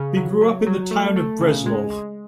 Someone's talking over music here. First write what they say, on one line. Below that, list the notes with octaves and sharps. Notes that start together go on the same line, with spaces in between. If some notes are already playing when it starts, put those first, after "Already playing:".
He grew up in the town of Breslov.
Already playing: C#3
F#3
F#3
F#3
A3
A3
C#3
G#3
G#3